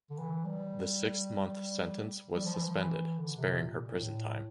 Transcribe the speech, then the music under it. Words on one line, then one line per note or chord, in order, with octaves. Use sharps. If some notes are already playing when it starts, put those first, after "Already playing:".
The six-month sentence was suspended, sparing her prison time.
D3
E3
G3
G3
F3
E3
F3
E3
D3
C3
A#2
A#2
A2